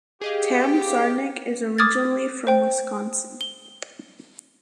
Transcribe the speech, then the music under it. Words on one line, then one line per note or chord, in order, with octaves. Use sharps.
Tam Czarnik is originally from Wisconsin.
G4 G#4 D#5 F5
D6 D#6 F6 G#6 A6
C5 G5
G7